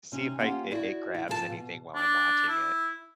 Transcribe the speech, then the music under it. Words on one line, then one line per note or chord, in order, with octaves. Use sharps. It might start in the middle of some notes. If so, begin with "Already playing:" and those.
see if I it it grabs anything while I'm watching it.
C3 C#4 D#4
A#3 C#4 F4 G4 F#5
E4 F#4 G#4 D5
E4
G#2 F3 C4 G#4 A#4 A5
B2
D4
E4